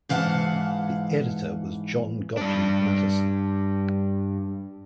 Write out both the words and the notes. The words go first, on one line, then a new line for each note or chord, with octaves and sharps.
The editor was John Gotlieb Matteson.
G#2 E3 F5 F#5 A5
G2 D4